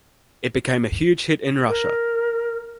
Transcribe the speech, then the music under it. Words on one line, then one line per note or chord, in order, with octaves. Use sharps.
It became a huge hit in Russia.
A#4